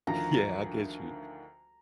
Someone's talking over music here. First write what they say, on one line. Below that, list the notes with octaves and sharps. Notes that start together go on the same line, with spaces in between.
yeah. I get you.
D2 D#3 F3 A#5